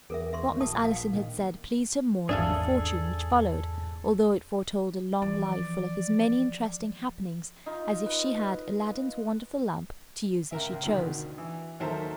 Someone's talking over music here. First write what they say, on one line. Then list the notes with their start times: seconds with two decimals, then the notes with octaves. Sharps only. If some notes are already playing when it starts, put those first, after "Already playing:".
What Miss Allison had said pleased her more than the fortune which followed, although it foretold a long life full of as many interesting happenings as if she had Aladdin's wonderful lamp to use as she chose.
0.10 E2 G#4 A#4 E5
0.33 E5 C6 C#6
0.48 D#2
0.60 A#1 A5 D#6
0.85 F5
1.13 A#2 D#3
2.29 G#1 E2 G#2 D4 G#4 A4 E5 F5
5.22 E3 F3 D5
7.66 D#4 F4
8.06 B4
10.51 C#2 A#4 E5
10.72 C#2
10.85 D2 B2 D#3
11.38 E3
11.80 D#2 F#3 A4 A#4 C5 E5